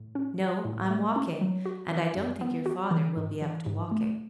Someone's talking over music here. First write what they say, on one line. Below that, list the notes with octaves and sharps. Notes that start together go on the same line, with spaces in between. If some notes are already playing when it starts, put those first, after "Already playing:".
"No! I'm walking; and I don't think your father will be up to walking."
Already playing: A2
C#4
F#3
A2
A3
C#4
F#3
F#4
E3
F#2
B3
F#4
E3
G#2
E3
G#2
A3